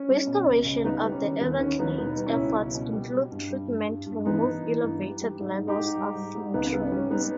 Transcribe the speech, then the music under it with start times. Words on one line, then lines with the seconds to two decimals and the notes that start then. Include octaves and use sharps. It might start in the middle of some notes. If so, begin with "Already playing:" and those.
Restoration of the Everglades efforts include treatment to remove elevated levels of nutrients.
Already playing: C#4
0.09 G3
0.27 B2
0.47 C#2
0.65 C#2
0.84 G3 B3 D#4
1.03 G3
1.12 C#4
1.22 D#3
1.41 D#2 B3
1.60 D#3 C#4
1.79 D#2 B3 D#4
1.98 B2 B3 D#4
2.17 G3
2.27 C#4 E4
2.36 C#2
2.55 B2
2.75 B2
2.93 G3
3.12 G3
3.32 G2
3.51 G3
3.69 G2
3.89 G2
4.06 G2
4.26 E3 B3 D#4
4.45 E3
4.63 E3
4.83 G2
5.02 G3
5.21 G3
5.41 G#2
5.58 G#2
5.68 D#4 G4
5.78 G#2
5.97 G3
6.15 G3
6.35 G#2
6.54 C#2 B3 D#4
6.73 G3 B3
6.92 G3 C#4
7.11 G3 B3 D#4